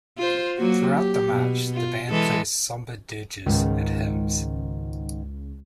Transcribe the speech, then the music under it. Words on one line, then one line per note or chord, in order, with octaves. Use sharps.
Throughout the march, the band plays somber dirges and hymns.
F4 C5
F#3 A#3 F#4
G4
B2
F4
E3 G#3 A4
C#2 G#2 D#3